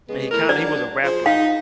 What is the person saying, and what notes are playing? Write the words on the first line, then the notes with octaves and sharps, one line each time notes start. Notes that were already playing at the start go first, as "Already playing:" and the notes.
And he kinda he was a rapper,
C#3 G#3 B3
A2 A#4
F#3 D4 D5
F3 G#4 C5
D#4 F5